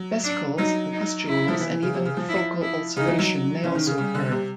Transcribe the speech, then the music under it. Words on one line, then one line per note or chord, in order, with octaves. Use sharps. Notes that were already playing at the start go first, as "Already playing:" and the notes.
Vesicles and pustules and even focal ulceration may also occur.
Already playing: F#3
D4
F#3 D#4
D#4
E4
F3
E3
E3
C#3
C3
C#3
F3
E4
E4
C#3 D#4
E3
F#3
E3 C#4
D#3
C#3
C#3 G3
D3
C3